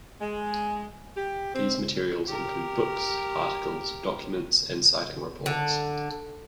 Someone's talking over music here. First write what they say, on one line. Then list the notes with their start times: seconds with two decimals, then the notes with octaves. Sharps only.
These materials include books, articles, documents, and sighting reports.
0.20 G#3
1.16 G4
1.53 C4
2.28 G4 A#4
5.46 D3